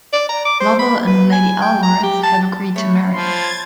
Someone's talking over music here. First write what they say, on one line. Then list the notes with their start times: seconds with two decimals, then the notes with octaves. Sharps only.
Lovell and Lady Allworth have agreed to marry.
0.13 D5
0.29 A#5
0.45 D6
0.60 C5
0.79 B5
1.07 B4
1.32 G#5
1.62 G5
1.83 A#5
2.03 G4
2.23 A5
2.76 A3 C#5 B5
3.14 F3 C6 G#6 A6